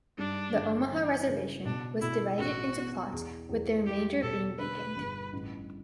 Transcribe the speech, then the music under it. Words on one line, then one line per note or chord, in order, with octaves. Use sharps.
The Omaha Reservation was divided into plots with the remainder being vacant.
G2 D4
G1
E3
C#3
B2 D4
B2 E4
A1 F#4
B3
E2
E2
G3 G4
B2 A4
D3 B4
G1
A1